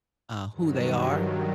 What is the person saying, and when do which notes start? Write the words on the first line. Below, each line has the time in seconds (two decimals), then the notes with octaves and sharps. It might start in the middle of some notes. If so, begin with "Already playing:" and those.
uh, who they are,
0.51 G2 D#3 F#3